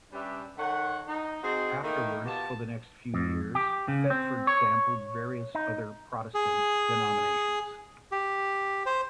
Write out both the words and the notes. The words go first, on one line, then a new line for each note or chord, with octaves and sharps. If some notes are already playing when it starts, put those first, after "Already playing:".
Afterwards, for the next few years, Thetford sampled various other Protestant denominations.
G3 C#4 D4 G4 B4 E5
D#3 A4 C#5 F#5
D#4
C4 D#4 F#4 G#4 C5
D#3 E3 A3 A#3 D#4 E4
B2 F4 G4 A5
F2
G4
C#3
C4
C#5
D#4
G#4
G4
C5